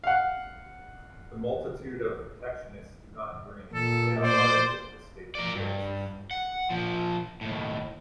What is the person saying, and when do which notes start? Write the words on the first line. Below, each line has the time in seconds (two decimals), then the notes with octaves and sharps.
The multitude of protectionists do not dream. They are hard, if mistaken, realists.
0.04 F5 F#5
3.75 A#2 A4
4.23 C5 D5
5.35 A#4 D5
5.54 G2
6.31 F#5
6.70 A#2 F3
7.41 D#2 A2